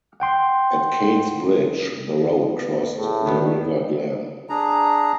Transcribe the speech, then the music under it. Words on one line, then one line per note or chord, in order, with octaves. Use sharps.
At Kate's Bridge, the road crossed the River Glen.
F#5 G5 C6
B3
A2 E3 A3 G#4
D#3 B3 D4
D4 G#4 A#5